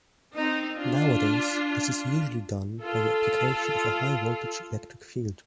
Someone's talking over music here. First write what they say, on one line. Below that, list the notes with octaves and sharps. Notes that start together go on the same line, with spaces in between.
Nowadays, this is usually done by the application of a high-voltage electric field.
C4 D#4
D4 F4
F4 A4